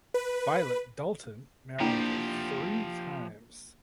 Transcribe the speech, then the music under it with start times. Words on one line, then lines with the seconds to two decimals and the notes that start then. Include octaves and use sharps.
Violet Dalton married three times.
0.14 B4
1.80 F3 A#3 D4 E4 G4 G5